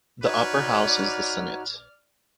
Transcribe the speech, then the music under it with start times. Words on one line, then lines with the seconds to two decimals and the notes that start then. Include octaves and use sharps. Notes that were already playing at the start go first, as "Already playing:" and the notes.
The upper house is the Senate.
0.23 D#4 F#4 B4 C#5 D5 F6